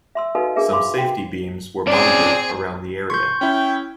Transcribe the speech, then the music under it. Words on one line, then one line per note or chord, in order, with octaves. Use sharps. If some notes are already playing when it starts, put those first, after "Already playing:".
Some safety beams were monitored around the area.
E5 C6 E6
D#4 F#4 A4 B4 D#5 F5
D4 G#4 A#4 E5
F5 B5 C6 D6
F#4 G5
C4 C#4 G#4 D5
C6 C#6 G6
C#4 E4 G5